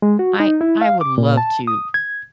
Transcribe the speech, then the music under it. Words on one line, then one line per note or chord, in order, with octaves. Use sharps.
I I would love to,
G#3
F#4
D#4
E4
F5
D6
A#2
A5
D#6
G#6